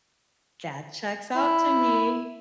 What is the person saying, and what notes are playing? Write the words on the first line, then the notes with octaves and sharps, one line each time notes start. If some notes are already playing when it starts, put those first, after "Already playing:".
That checks out to me.
E4